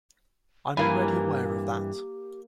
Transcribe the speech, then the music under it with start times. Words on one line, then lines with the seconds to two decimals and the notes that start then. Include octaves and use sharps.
I’m already aware of that.
0.77 G2 E3 A#3 E4 G4 F5 G#5 B5